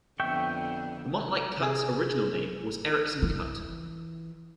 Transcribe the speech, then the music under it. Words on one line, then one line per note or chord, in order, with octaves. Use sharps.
The Montlake Cut's original name was Erickson Cut.
F2 D3 B3 E5 G5 C#6
C3 G#4
E3